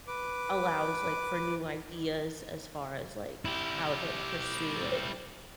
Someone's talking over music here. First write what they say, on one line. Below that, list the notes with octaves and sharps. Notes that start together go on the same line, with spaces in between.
allows, like, for new ideas as far as, like, how to pursue, like
B4 D6
E4 G4